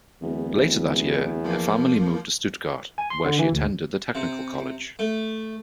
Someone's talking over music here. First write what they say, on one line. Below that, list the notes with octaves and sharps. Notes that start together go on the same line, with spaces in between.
Later that year, her family moved to Stuttgart, where she attended the Technical College.
D1 E2
F3 A#3
G#5
C6
D3
E3
D2
C3
A3